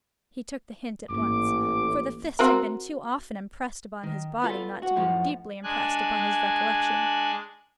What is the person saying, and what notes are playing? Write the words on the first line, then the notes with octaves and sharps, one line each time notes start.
He took the hint at once, for the fist had been too often impressed upon his body not to be deeply impressed upon his recollection.
A1 G#2 A#3 D6
C4 F#4 A#4
D#3
B3 F4 A4
F#4 F#5
F#2 A2 F3
G#3 D4 G#5 F#6